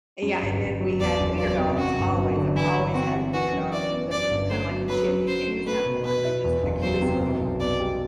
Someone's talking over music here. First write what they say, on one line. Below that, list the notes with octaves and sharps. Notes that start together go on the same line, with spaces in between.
Yeah, and then we had wiener dogs always, I've always had wiener dogs, as they're they're kinda like a chip, you can't just have one. They're just the cutest little,
F#2
G1
G1
F#3
E2 D5
F#1
F#3 D5
C3
F#2 F#4
G1
F#3
D3
E3 E4
G2
C4 F#4
G3
E3 F#4
F#2
E4 D5
B3
F#2 D5
G1
A3 C5
F#3
F#3 B4
F#2
F#2 C5
A3
A3 B4
B2
B2 B4
E4
E2
F#1
F#3 C5
C3
B2
B1
B3 D5
G3